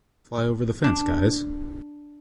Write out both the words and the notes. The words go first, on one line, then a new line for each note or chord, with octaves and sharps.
Fly over the fence guys!
D4